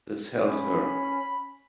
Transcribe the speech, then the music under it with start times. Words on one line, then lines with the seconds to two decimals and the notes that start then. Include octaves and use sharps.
This held her.
0.47 C#4 B5